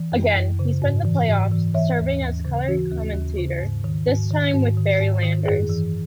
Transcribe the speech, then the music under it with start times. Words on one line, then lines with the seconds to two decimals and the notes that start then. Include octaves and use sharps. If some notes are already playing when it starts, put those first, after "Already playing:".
Again, he spent the playoffs serving as color commentator, this time with Barry Landers.
Already playing: E3
0.12 F#2
0.36 F#2
0.59 C#3
0.82 G#2
1.05 E3
1.29 G#2
1.52 E3
1.74 E3 C#5 E5
1.99 D#2
2.22 D#2
2.45 C#3
2.68 E3 F#4
2.91 D#2
3.14 D#2
3.38 C#3
3.60 G#2
3.84 D#3
4.07 G#2
4.31 D#3
4.54 G#2
4.77 D#3
5.00 G#2
5.23 D#3
5.46 F#2 G#4
5.69 E3